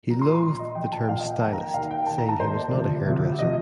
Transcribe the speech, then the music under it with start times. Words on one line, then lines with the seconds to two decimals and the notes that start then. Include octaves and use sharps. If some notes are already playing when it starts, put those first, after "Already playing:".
He loathed the term 'stylist', saying he was not a hairdresser.
0.10 A#1 A#2 F3 A#5
0.22 C6
0.32 C6
0.43 A#1 A#2 F3 C6
0.59 D#5
0.75 A#1 A#2 F3 G5
0.92 A5
1.04 G5
1.09 A#1 A#2 F3 F5
1.20 D#5
1.30 G5
1.41 D#2 D#3 A5
1.52 A#5
1.63 G5
1.74 D#2 D#3 F5
1.91 G5
2.06 D#2 D#3 A5
2.18 A#5
2.29 A5
2.40 D#2 D#3 C5
2.57 D5
2.73 D2 C3 F3
3.06 D2 C3 F3
3.39 C3 F3 D#5